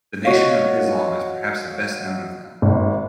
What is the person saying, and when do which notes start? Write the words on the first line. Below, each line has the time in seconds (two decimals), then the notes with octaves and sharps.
The Nation of Islam is perhaps the best-known of them.
0.25 F#4 C#5 D#5 F5
2.62 G#1